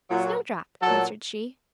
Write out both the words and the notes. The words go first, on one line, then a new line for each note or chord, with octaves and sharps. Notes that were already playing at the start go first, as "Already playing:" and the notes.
"Snowdrop," answered she.
A#2 F#3
A#2 F#3 A4